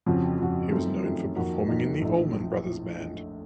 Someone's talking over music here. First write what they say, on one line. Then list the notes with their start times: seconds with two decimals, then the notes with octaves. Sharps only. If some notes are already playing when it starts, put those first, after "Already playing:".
He was known for performing in the Allman Brothers Band.
0.06 F2 C#3 F3 C4 F#4
0.39 F2 C#3 F3 C4 F#4
0.71 F#2 D#3 A3 C4 F4
1.04 F#2 D#3 A3 C4 F4
1.36 F2 D#3 A#3 D#4 F#4
1.68 F2 D#3 A#3 D#4 F#4
2.01 A#1 A2 F3 A3 D#4